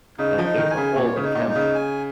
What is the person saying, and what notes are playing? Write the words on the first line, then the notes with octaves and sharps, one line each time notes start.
Like, there's a whole attempt
C#3 D#4
F3
D#4
D#3
G#5
C#3
A#2 C#5
C#3
D#4
A#2
D#4
C#3
G#5